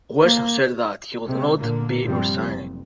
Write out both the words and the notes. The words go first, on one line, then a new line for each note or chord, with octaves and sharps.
Western said that he would not be resigning.
A#3
C3 G#3 C4
A#2 D3 A#3
G2 C3 F3 G3 C4
F#1